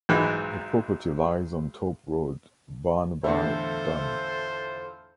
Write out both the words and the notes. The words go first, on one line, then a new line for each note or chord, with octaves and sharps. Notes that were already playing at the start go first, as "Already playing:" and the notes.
The property lies on Top Road, Barnby Dun.
B1 G#2 E3 G#3
E2 A2 D3 F4 A4 C5 E5